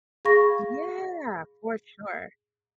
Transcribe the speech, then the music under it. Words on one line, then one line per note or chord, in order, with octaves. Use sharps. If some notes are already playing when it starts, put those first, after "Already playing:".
Yeah! For sure.
G#4 F5 B5 C#6 A#6